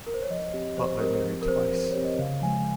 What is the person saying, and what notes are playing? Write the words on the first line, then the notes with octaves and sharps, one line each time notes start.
Butler married twice.
A#4
C5
C#5
F3 D#5
C4 G4
F3 C5
C4 G4 A#4
F3
A#4
C4 G4 C5
F3
C5
C#5
C4 G4
D#5
C#3 F5
F3 G#3 G#5